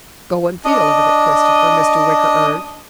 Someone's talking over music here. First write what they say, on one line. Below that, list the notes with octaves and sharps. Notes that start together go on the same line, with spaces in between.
"Go and feel of it, Christopher," Mr. Wicker urged.
D4 D#5